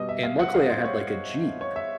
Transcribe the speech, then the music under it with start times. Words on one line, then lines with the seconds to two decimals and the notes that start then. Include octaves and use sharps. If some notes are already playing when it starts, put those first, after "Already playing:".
and luckily I had, like, a Jeep
Already playing: B2 G3 D#5
0.09 E5
0.23 F5
0.39 F#5
0.54 F5
0.70 C5
0.84 C#5
1.61 C#5
1.76 E5